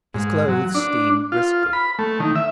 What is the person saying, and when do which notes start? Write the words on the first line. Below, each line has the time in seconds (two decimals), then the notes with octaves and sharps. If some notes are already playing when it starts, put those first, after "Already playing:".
His clothes steamed briskly.
0.14 G#2
0.48 F#3
0.75 D4
1.32 F4
1.73 B5
1.99 A3
2.20 D#3
2.35 E5